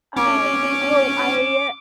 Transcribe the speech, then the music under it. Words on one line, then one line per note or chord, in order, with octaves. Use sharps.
um oh, I
C#4 D6